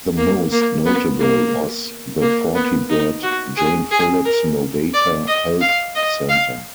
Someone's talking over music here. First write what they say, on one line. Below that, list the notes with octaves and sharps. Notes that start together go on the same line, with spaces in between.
The most notable was the forty-bed Jane Phillips Nowata Health Center.
A#3
A#3
B3
A#3
A#3
B3
D#4
F#4
G#4
G#4
A#4
D5
D#5
F5
D#5
F5